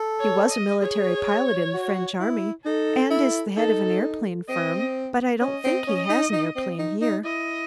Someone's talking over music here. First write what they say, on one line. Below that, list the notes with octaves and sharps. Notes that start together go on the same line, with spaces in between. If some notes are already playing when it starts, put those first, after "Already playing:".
"He was a military pilot in the French army and is the head of an aeroplane firm, but I don't think he has an aeroplane here."
Already playing: A4
C#5
D#5
G#4 C#5
F#4
E4
D#4 A4
E4
D#4 A4
C4 D#5
C#4 D#5
C4
C#4
D#4
D#4
C4
D#4
D#4
E4 D#5